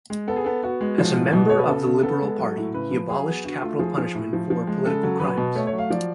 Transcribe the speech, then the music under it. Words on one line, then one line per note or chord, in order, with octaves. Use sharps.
As a member of the Liberal Party, he abolished capital punishment for political crimes.
G#3
B3 A4
G#4
B3 A4
B3 F#4
G#3
F3
A2
B2 F#4
B2 C#5
B4
C#3 A4
C#3
B3 A4
G#3
F#3
A2
C#3 B4
F3
F#3 G#4
B3
D3 F#4
A3 F4
F3 G#4
F3
A2
F3
F3
G#3
C#3 A4
F#3
F#3 B4
B2
A3 C#5
C#5
F#3
F5
F3 D5